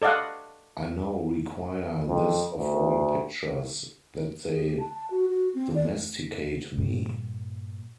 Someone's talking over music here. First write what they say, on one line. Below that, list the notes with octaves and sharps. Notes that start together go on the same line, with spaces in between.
I now require this of all pictures, that they domesticate me.
A4 D5 D#5 F5 F#5
F2
D2
G#4
G4
A5
A5
F#4
F#4
C4
D5
G2 A#2